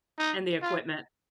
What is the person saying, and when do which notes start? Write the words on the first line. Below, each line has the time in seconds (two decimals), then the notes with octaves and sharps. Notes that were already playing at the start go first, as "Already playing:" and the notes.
And the equipment.
0.18 D#4
0.62 F4